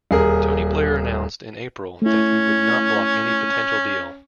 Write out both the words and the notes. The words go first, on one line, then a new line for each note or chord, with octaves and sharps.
Tony Blair announced in April that he would not block any potential deal.
D#1 G#4 A#4
A3 C#4 E4